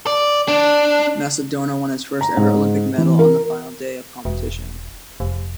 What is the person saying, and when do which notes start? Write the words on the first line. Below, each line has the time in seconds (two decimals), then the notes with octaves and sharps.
Macedonia won its first ever Olympic medal on the final day of competition.
0.07 D5
0.48 D4
2.21 A#5
2.37 G#2
2.98 E3
3.19 A#4
4.25 E1
5.20 F1